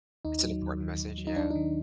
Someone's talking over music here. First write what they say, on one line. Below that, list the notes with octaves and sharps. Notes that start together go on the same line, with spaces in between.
It's an important message, yeah.
D#2 D#4
F#3
D#2
D#3
D#2
F#3
D#4
D#2 D4
D#4
D#3